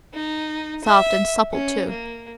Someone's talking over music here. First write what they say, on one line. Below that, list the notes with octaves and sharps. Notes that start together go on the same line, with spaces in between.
Soft and supple too.
D#4
E5
C#4
A#3